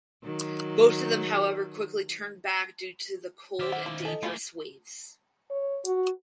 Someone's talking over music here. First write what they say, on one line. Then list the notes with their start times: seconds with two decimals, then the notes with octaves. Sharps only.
Most of them however quickly turned back due to the cold and dangerous waves.
0.24 D#3 F#3
3.59 D#3 C5 E5 D6 F6
3.72 F#5
3.86 F3 G#3
4.05 A4 D#5 G#5
4.23 A3 A#3 E4 F4 G#4
5.51 C#5
5.85 F#4